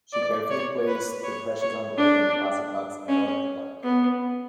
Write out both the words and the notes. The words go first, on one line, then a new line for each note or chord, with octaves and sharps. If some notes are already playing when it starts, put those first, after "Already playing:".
She carefully placed the precious envelope in deposit box L and locked it.
D5
C#5
B4
C#5
C#5
D4
C#4
B3